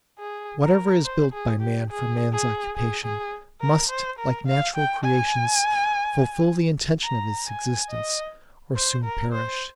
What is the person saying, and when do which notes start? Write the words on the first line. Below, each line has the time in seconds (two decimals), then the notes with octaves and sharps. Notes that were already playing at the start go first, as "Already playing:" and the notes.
Whatever is built by man for man's occupation, must, like natural creations, fulfil the intention of its existence, or soon perish.
0.19 G#4
0.61 A#4
1.05 C5
1.33 G#4
1.61 G4
1.90 G#4
2.33 G#4
2.75 G#4
3.05 G#4
3.61 A#4
3.90 C5
4.19 A#4
4.47 F5
4.76 G5
5.04 G#5
7.04 A#5
7.47 G#5
7.90 D#5
8.76 C5
9.04 A#4
9.33 C5